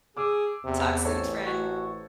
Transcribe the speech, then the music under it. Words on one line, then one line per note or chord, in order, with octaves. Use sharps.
Talk soon, friend.
G#4 D6 E6
E2 C3
A1 A4 C5 C#5
F#4